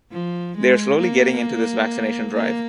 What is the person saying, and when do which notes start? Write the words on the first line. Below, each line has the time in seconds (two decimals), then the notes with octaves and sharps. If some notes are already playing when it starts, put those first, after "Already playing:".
They are slowly getting into this vaccination drive.
0.12 F3
0.57 G#3
1.01 A#3
2.33 A#3